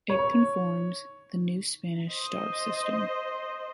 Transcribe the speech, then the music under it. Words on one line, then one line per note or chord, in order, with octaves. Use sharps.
It conforms the new Spanish star-system.
C#5
C5 D#5